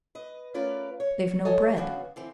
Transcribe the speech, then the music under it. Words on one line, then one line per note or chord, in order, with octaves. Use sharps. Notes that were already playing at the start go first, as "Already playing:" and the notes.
They've no bread.
B4 D#5
A3 C#4 F4 A#4 B4 D5
C#5
G2 A4 C#5 D#5 G#5
C#3 F#3 B3 D4 F#4 G#4
D3 E3 C4